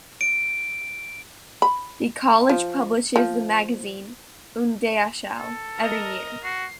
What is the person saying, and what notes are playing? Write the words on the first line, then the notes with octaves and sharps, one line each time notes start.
The college publishes the magazine "Udayachal" every year.
D7
B5
F3
F3
A4
A#4 D#5
F#4 C7